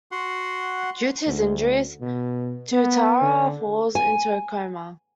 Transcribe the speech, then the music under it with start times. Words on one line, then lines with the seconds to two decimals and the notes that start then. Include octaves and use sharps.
Due to his injuries, Tuatara falls into a coma.
0.12 F#4 F#5 C6
1.26 D2
2.01 B2
2.72 B3
3.21 D3
3.95 G#5